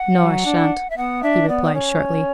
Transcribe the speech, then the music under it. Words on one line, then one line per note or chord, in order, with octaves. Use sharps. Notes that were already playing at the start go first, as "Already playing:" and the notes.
'No, I shan't,' he replied, shortly.
Already playing: F#5
F#3
D4
E5
B3 F#5
D4 E5
B3 D5
D5
C#4 C#5